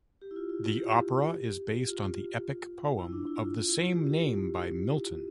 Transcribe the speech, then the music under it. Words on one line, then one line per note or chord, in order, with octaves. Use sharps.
The opera is based on the epic poem of the same name by Milton.
G4
E4
F4
E4
F4
G4
F4
E4
D4
E4
F4
F4
E4
F4
G4
G4